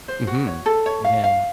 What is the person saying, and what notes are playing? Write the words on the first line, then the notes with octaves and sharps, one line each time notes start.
Mhm, yeah.
C5
F#4
C#5
A4
C#5
F5
F5